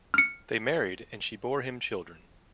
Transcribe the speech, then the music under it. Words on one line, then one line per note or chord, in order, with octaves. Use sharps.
They married, and she bore him children.
F6 C#7